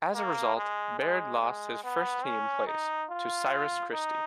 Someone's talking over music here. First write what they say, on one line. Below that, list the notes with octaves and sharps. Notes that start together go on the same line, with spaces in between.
As a result, Baird lost his first team place to Cyrus Christie.
A#3
G#3
G#3
G#3
B3
C#4
D#4
F4
D#4